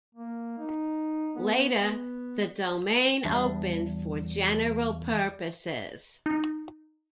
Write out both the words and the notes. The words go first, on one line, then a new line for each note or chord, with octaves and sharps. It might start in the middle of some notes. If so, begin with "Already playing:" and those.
Later, the domain opened for general purposes.
A#3
D#4
B3
B3
E2 G3 D4 E5
D#4